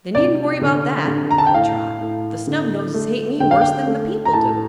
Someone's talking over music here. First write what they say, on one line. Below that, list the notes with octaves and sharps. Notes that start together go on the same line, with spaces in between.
"They needn't worry 'bout that," replied Trot; "the Snubnoses hate me worse than the people do."
C3 D5
D3
D3
A#5
A5
G5
A2 F5
A2
D3
A3
D3 G5
F5
G5
A3
A#5
A2 A5